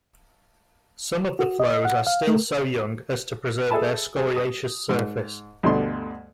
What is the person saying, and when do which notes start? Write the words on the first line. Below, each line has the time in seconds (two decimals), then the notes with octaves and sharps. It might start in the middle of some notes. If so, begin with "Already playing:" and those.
Some of the flows are still so young as to preserve their scoriaceous surface.
1.39 F#4
1.60 D#5
1.85 F#5
2.07 F5
2.27 A3
3.71 G#4 A4 E5 G#5 A5 B5
4.16 G#4
4.36 D#6
4.89 G#2
5.63 D2 G2 B2 D3 A3 C6